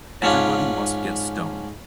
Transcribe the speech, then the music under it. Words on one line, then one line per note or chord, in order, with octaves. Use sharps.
Everybody must get stoned.
G#2 C#4 D4 F4